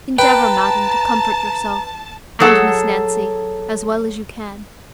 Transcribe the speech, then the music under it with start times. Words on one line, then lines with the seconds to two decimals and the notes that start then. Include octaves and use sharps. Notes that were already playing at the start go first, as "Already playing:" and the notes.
Endeavour, madam, to comfort yourself, and Miss Nancy, as well as you can.
0.19 B4 G5 A5 A#5
2.40 F#3 G#4 A4 F#5